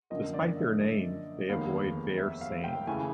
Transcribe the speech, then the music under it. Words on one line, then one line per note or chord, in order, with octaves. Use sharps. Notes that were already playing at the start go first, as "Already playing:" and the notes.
Despite their name, they avoid bare sand.
F#2 D3 F3 A#3 D#5
D5
E5
F1 D#2 D#3 G#3 B3 F5
E5
F5
G5
C#3 E3 A3 G#5